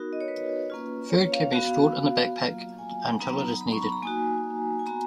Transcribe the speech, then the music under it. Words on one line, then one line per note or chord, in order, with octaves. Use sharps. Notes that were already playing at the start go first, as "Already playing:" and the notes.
Food can be stored in the backpack until it is needed.
Already playing: B3 D#4 F#4 A#4
D#5
C#5
B4
A#3 C#4 F4
C#5
F5
B3 F#4 F5
F#3 A#3 F4
G#5
F#3 B3 D#4 A#5
B5
C#6
B5
A#5
A#3 D#4 F#4 G#5
G#5
B3 F#4 A#5